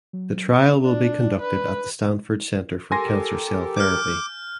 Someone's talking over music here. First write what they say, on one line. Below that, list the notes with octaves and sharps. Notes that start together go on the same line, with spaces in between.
The trial will be conducted at the Stanford Center for Cancer Cell Therapy.
F#3
D4
B4
G4 A4 A#4 G#5 C6 A#6
D6 F6 G6